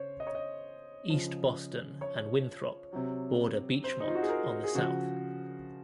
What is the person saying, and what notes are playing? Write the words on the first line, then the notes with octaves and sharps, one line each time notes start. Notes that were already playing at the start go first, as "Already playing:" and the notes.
East Boston and Winthrop border Beachmont on the South.
Already playing: C#3 C5 C#5
D#5
C#5
D#5
C#3 F3
C#5
C3 F#3
C5
D#4
F4
F#4
G#4
A#4
G#4
C#3 F3 F#4